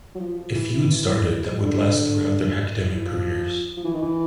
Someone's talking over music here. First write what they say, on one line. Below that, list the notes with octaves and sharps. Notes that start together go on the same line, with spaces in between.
A feud started that would last throughout their academic careers.
F#3
F3
F3
E3
E3
E3
D3
E3
F3
F3
E3
D#3
E3